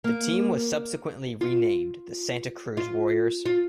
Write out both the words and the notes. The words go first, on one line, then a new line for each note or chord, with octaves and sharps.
The team was subsequently renamed the Santa Cruz Warriors.
A#3
F4
F4
F4